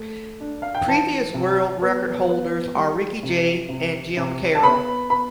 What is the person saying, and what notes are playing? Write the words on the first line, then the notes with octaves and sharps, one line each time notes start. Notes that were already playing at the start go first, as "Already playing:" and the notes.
Previous world record holders are Ricky Jay and Jim Karol.
Already playing: A3
D4
F5
G5
E3 A5
C3
B3
B3
G3
C3
C3
C3
A5
B3 B5
B3 B5